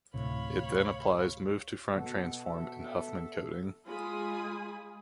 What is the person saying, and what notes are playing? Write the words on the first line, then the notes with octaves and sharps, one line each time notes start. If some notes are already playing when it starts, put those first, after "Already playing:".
It then applies move-to-front transform and Huffman coding.
D2 A2 C3 C#5 F5 B5
B2 A4
A4 E5
G#3 F4 G#5 B5 D#6